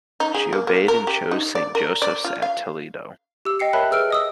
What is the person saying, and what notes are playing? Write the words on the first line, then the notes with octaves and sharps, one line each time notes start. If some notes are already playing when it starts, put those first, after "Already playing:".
She obeyed and chose Saint Joseph's at Toledo.
D#4
G#4
A#3
A#3
A#4
G4
D#4
D5
A#4
D5
F4
F5
G4 E6
D#5 G5 C7 C#7
A#4 C#5 E5 A5 B5 F#6
G#4 B4 E6 F6 D7
D#5 D#6 E6